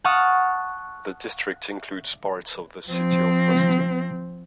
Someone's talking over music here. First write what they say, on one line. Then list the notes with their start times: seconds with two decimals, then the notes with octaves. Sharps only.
The district includes parts of the city of Boston.
0.04 F#5 A5 C#6 D#6 F6 F#6
2.88 F3 C4